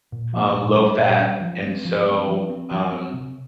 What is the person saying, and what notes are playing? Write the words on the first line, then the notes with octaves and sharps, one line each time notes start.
um, low-fat, and so, um,
A#2
F3 A#3
A#2
G3 C#4
A#2
G3 C#4
F3
G#3 C4
F3
G#3 C4
F3
C4
F3
C4
C3